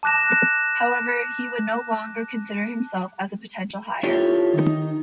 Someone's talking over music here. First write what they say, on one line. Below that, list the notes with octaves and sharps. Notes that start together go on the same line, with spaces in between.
However, he would no longer consider him as a potential heir.
A5 D6 F#6 A#6 E7
E4 F4 G4 A4 C#5
D#3 D#4